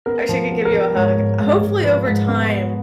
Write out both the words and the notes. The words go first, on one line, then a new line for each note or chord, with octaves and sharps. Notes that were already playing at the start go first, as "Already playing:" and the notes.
I wish I could give you a hug. Hopefully, over time,
B3 A#4
F3
B3
A#4
F3
G#2 C#5
G#2
G#2
G#2
F3 B4
G#2
B3